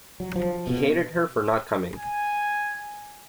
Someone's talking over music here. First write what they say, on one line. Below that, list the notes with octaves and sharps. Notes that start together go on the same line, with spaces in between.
He hated her for not coming.
F#3
F3
B2
G#5